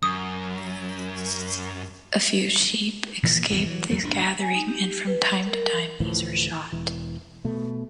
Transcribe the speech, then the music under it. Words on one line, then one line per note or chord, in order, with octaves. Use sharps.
A few sheep escape the gathering, and from time to time these are shot.
F#2 D#6
A#2 E3 F3 A#3
G#1 E2 C3 F3
E3 F#3
E2 F#3 A3 A#3
F#1 A2 C#3 D4
G#5
D#4
G4
B4
A#4
D2 A2 E3 F3
E1 E3
B2 A3